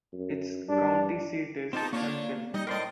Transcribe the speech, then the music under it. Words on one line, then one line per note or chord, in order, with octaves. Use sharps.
Its county seat is Hemphill.
F#2
G2 D4
A#3 C4 D#4 F4 A5
A#3 D4 F4 C#5
G3 D#4 D#5
A2 A#4 C5 D5 D#5